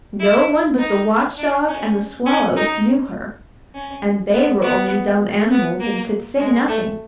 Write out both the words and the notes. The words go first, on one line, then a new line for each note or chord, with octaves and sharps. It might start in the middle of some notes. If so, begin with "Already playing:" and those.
No one but the watchdog and the swallows knew her, and they were only dumb animals and could say nothing.
E4
D#4
D4
C#4
C#4
D#4
C#4
B3
B3
B3
A#3
G#3
A3